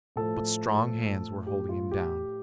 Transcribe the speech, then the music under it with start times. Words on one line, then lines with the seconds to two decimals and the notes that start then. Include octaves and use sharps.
But strong hands were holding him down.
0.16 A2 F3 A4
1.47 G4
1.69 F4
1.91 G4